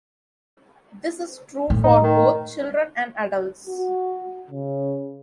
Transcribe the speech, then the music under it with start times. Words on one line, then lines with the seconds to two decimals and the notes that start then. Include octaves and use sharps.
This is true for both children and adults.
1.70 A2
1.84 D#4
2.03 D#3
3.68 F#4
4.50 C#3